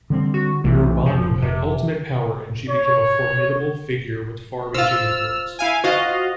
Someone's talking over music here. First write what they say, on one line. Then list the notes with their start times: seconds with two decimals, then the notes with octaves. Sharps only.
Nurbanu had ultimate power, and she became a formidable figure with far-reaching influence.
0.10 D3 G3 C4
0.34 F#4
0.64 B1 C3 E3 A3
1.06 F1 F3
1.42 C3
2.69 C#5
4.74 F4 C5 E6 F6
5.59 E4 F5 G#5
5.84 F4 F#4 C5 D#5 F5